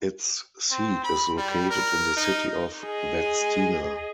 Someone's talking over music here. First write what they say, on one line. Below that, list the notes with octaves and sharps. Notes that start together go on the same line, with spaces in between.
Its seat is located in the city of Vadstena.
C4
B5
G3
A#4
D#4
G#4 D#5